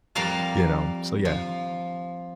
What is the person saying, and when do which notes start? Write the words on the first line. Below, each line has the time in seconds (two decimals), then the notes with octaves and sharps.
you know? So yeah.
0.15 F2 G3 A#4 D5 F5 A5
1.25 F3